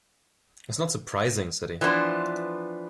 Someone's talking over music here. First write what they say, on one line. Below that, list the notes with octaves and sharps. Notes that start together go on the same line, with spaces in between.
"It is not surprising," said he.
E3 F3 B3 D4 C5